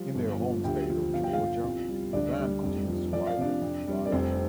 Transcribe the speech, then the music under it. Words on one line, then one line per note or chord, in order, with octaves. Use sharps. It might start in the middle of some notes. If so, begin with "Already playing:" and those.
In their home state of Georgia, the band continues to ride their popularity.
Already playing: F3 G3 F4
G1
F3
D2 G4 G5
F3
G1 F5
G5
F4 F5
F3
C2
G3
D2 D4 D5
G3
F1
F3
F3 D5
F5
C3 D4 D5
F2
G3
D5
F1 C4 C5